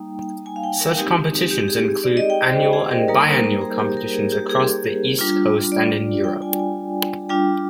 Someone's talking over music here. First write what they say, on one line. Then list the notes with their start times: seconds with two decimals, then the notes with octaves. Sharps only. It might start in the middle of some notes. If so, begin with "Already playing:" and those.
Such competitions include annual and biannual competitions across the East Coast and in Europe.
Already playing: G3 A#3 D#4 G5
0.46 G#5
0.56 F5
0.63 G5
0.80 A#4
0.97 G#3 C4 D#4 G4
1.51 G4
1.68 G#4
2.04 D5
2.17 D#5
2.30 G5
2.43 C5
2.73 G#4
2.91 A#4
3.08 G3 A#3 D#4 A#4
3.27 C5
3.44 A#4
3.61 G#4
3.79 G4
3.97 A#4
4.14 G#4
4.32 G4
4.50 G#4
5.19 G3 D4 F4
5.72 D5
6.24 G5
6.42 G#5
6.59 G#5
7.29 G3 D4 F4 G5